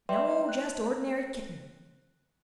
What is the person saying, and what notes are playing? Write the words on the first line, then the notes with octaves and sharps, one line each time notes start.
"No; just ordinary kitten."
B4 D5 E5 G5 C6
F#6